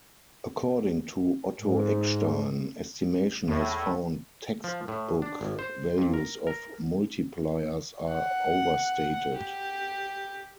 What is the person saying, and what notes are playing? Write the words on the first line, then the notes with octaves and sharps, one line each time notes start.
According to Otto Eckstein, estimation has found "textbook" values of multipliers are overstated.
G#2
E2 A2
F3
A2
D4
G#1
C5
F2
A#4
A#4
F#5
G4